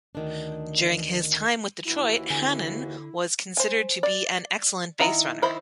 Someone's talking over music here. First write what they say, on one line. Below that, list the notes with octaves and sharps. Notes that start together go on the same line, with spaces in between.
During his time with Detroit, Hanlon was considered to be an excellent base-runner.
D2 D#3 D4
D#2 E3 E4 F#4
D3 D4
C5 G#5
D5
D#3 E4 F#5 A#5
D#3 E4 C5 B5